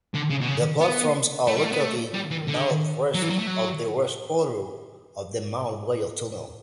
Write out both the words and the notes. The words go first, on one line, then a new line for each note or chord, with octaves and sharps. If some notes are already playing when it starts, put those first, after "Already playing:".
The platforms are located northwest of the west portal of the Mount Royal Tunnel.
D3
C#3
B2
C#3
B3
A3
G3
A3
B3
A3
G3
E3
D3
F#3
E3
F#3
A3
F#3